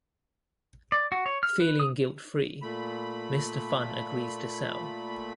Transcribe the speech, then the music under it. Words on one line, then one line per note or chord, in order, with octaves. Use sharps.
Feeling guilt-free, Mr. Fun agrees to sell.
D5
F#4
C#5
F6
B4
D#6
A#2 A3 B5